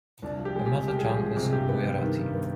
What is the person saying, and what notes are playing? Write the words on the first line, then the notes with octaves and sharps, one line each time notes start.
Her mother tongue is Gujarati.
C2 D4
F3
G4
G#3
G4
C3
C2 G4
G#4
F3
G4
G#3
G#4
C3
G2 G4
B3
G2
D#3
G2
B3